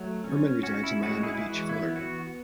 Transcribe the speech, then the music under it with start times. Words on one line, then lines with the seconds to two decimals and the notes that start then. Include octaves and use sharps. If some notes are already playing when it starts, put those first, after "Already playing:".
Herman resides in Miami Beach, Florida.
Already playing: F#3 A3
0.24 C#4
0.63 C#4 F#4
0.83 E4
1.03 G#3 F#4
1.23 E4 G#4
1.35 E4
1.43 E3 F#4
1.69 E4
1.82 B3
1.96 F#4